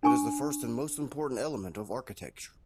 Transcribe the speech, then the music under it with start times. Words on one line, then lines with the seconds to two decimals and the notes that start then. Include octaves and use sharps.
It is the first and most important element of architecture.
0.03 D4 G#5 C#6